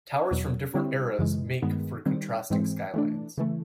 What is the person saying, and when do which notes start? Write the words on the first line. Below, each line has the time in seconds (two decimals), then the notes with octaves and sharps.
Towers from different eras make for contrasting skylines.
0.31 E2 B2 F#3
0.74 D3 G3 C4 E4
1.19 F#2 C#3 E3 G#3
1.62 G2 D#3 G#3 B3
2.06 D#3 G3 C4
2.50 G#2 E3 G#3 C4
2.94 E3 A3 D4
3.38 C#3 E3 A3